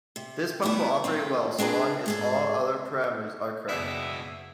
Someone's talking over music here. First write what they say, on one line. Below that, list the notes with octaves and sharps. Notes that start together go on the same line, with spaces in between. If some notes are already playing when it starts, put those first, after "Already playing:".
This pump will operate well so long as all other parameters are correct.
C3
G3 A3 B3 E4
C4 C#4 F4
C4 D4 G#4 B4 A#5
G#2 G#4 A4
F#1 B2 B3 D4 E4 G#4 E5